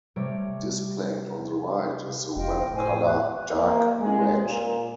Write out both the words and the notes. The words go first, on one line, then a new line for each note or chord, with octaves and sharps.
Displayed on the right is the web color dark red.
C3 G3 A3 C#5 A#5 D7
F1 F4 D#5 G5
A2 C5 G5 G#5
F#6
A#3
G#3
A#2